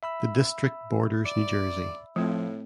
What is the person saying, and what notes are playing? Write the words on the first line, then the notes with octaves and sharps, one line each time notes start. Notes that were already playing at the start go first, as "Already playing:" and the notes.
The district borders New Jersey.
E5 B5 E6
D5
A2 F3 A3 C4